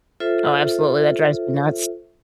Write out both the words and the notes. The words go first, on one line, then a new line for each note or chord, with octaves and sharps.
Oh, absolutely. That drives me nuts.
F4 A4 C5 E5